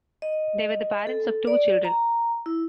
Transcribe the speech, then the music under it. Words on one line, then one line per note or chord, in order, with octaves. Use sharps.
They were the parents of two children.
D#5
A4
D5
A#5
E4